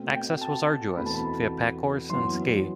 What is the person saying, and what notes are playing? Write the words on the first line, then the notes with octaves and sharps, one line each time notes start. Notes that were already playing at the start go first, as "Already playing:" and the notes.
Access was arduous - via packhorse and ski.
Already playing: B2 A3 C4
G5
A5
E2 B2 A3 C4 B5
A5
B5
F#2 E3 B3 C6